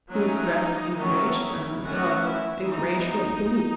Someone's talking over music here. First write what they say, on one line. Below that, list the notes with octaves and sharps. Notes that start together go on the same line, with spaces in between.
He was dressed in grayish-brown above and grayish-white beneath.
F#3 A3 C#4 D#4
D#3 F#3 A3 C#4 E4
D#3 A3 C#4 F#4
E4
E3 B3 D#4